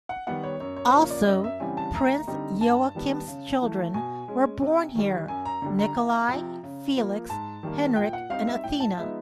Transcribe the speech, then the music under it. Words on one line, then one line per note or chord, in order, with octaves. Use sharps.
Also Prince Joachim's children were born here: Nikolai, Felix, Henrik and Athena.
F#5
D#3 G3 B3 F#5
C#5
F#2 C#5
C#5
C5
C#3 F3 A#3 C#5
D5
F#2 D#5
E5
C#3 E3 G3 C4 G#5
A5
D2 A#5
D3 G3 C4 D#4
G2 A5
D#3 G3 B3
C#3
E3 A3
B2 G#5
G#3 C#4
C3
D#3 G3
F#2 G#5
A#5
D3 G3
A#5
C2
C3 F3
C#3
F3 A#3
G#2 A5
D#3 G3 A#3
A#2 G5
F#5
G3 C4 D#4 F5
E5
A2 G5
A5
F3 G#3 B3 D#4 E5